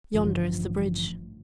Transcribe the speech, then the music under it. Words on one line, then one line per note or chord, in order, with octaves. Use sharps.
"Yonder is the bridge."
A1 G2 D3 F3